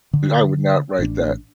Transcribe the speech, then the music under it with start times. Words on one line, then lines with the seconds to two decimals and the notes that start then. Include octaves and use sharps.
I I would not write that.
0.13 D3
0.99 A1 D4